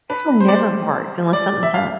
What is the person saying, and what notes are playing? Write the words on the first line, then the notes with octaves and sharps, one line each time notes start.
This one never barks unless something's up.
B4
C5
D5
C5
D5
E5
F5